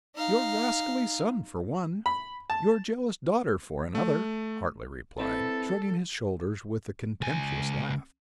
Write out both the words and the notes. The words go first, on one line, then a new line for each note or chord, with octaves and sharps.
"Your rascally son, for one--your jealous daughter, for another," Hartly replied, shrugging his shoulders with a contemptuous laugh.
D#4 F5
B5
A5
A3
C4 E4 A4 B4
C#2 G#5